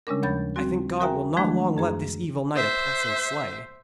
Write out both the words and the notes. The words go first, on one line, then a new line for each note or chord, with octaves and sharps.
I think God will not long let this evil knight oppress and slay.
C#3 G3 G#3 C#4 D4 A#4
D#2 F3 C#5 B5 G6 A6
G3 C4 F#4
F#4 A#4 E5 G5 G#5 A#5
D#3 F3 F#3 G#3 A3 D4
F#2 G#4 A#5
C5 E5